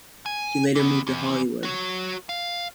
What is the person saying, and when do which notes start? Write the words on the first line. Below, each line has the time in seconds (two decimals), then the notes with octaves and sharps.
He later moved to Hollywood.
0.26 G#5
0.76 E3 B3
1.07 E2
1.63 F#4 C#5
2.29 F5